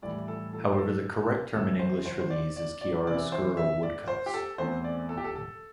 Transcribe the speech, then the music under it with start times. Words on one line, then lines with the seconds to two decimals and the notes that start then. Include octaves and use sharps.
However, the correct term in English for these is "chiaroscuro woodcuts".
0.02 A2 E3 G3 E4 D5
0.28 A4
0.53 A4
0.72 C5
0.78 A4
1.54 C2 C3 E3 A4
1.79 C5
2.06 C5
2.19 C5
2.30 D5
2.56 D5
2.81 D5
3.07 C3 E3 C4 E4 D5
3.32 C5
3.57 E5
3.83 D5
4.08 C5
4.26 G4
4.34 A4
4.58 E2 E3 A3 C4 C5
4.84 D5
5.09 A4
5.17 G4
5.24 A4
5.36 A4